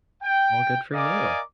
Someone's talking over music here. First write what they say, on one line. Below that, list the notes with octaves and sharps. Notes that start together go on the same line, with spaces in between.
Well, good for you.
G5
A#4 D5 D#5 F5 G#5 D6